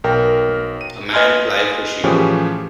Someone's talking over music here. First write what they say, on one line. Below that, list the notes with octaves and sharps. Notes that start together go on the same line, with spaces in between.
A man fly fishing.
B1 A#4 G5
D#7
B4 D#5 G#5 C6 F6
A2 E3 F3 C#4 G4 G#4